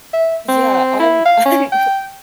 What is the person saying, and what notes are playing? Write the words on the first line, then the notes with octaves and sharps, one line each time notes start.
Yeah, I'm I'm
E5
C4
E4
F5
C#4
G5